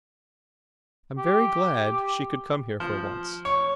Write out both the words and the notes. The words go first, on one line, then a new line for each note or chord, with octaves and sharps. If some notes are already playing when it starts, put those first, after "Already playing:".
I'm very glad she could come here for once.
G4
F3
C#5